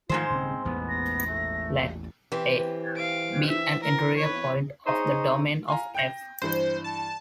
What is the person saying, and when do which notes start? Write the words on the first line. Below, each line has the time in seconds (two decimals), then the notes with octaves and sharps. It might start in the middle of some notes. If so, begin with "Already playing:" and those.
Let "a" be an interior point of the domain of "f".
0.09 G#2 D#3 F3 G#3 A3 F4 C5
0.30 D#1 C#3 C4
0.65 A1 E2 A#2 B3
0.89 A#6
1.26 A3
2.32 E3 C4 G4
2.96 F5 D7
3.47 E5
3.83 A#4
4.17 B4 C#5
4.85 D#4 G#4 C5 C#5 D#5
5.68 F5 G#5 A#5
5.95 G5 G6 A#6
6.42 G2 E3 C5
6.84 A5